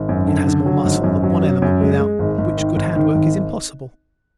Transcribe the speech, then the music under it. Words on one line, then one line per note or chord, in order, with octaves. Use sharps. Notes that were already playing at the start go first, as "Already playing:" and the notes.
It has more muscle, that one element without which good hand work is impossible.
Already playing: G#1
F#2
D3
D3
F#3
G#1
F#2
F#3
F#3
F#2
G#3
G#3
G#1
G#1
D#3
G#1
D#3
G#1